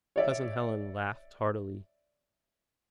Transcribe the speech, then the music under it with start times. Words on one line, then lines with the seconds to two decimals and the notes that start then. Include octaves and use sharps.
Cousin Helen laughed heartily.
0.16 C#5 D5 E5